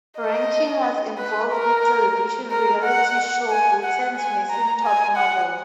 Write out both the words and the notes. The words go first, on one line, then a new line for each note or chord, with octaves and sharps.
Rankin was involved with television reality show Britain's Missing Top Model.
D#5
B4
A#4
A#4
F#5
G#5
F#5
G#5
A#5
G#5
F#5